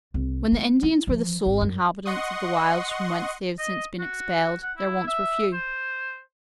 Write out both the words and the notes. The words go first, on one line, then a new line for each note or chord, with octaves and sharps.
When the Indians were the sole inhabitants of the wilds from whence they have since been expelled, their wants were few.
C2
A3
E4
E3 F3
G#1
F#2
D#5 F#5 C6 C#6 D#6
D#5
F#4
F#5
E4
E5
C5